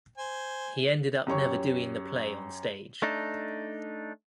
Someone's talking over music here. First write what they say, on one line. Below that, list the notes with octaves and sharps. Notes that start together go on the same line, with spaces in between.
He ended up never doing the play on stage.
C5 G#5
F#2 G4 C#5 C#6
A3 D4 D#4